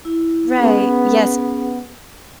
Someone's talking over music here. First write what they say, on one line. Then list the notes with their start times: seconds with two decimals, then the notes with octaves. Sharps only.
Right, yes,
0.05 E4
0.57 B3 C#4 G#4